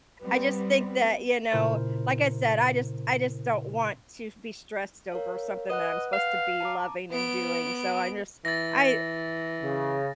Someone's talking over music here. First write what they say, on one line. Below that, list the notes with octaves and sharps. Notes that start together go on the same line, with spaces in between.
I just think that you know, like I said, I just I just don't want to be stressed over something that I'm supposed to be loving and doing, so I just I
G3 B3 C4
A#2 C#3 E4 A#4 C5
A#4 C#5 F5
B4 D#5 F#5 F#6
F5
A5 A#5 D6
B3 D7
E3 A6 A#6
C#3